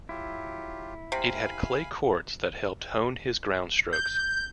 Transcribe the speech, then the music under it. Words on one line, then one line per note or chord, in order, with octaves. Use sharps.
It had clay courts that helped hone his groundstrokes.
F#3 E4 F4 G4
C3 F5 G#5 B5
G6